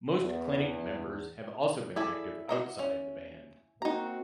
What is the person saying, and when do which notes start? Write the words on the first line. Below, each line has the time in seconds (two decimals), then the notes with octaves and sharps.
Most Klinik members have also been active outside the band.
0.20 E2
1.96 E4 G#4 A4 D5
2.49 F#4 D#5 A#5
2.79 C#4
3.82 A#3 C4 D#4 F#4 A#5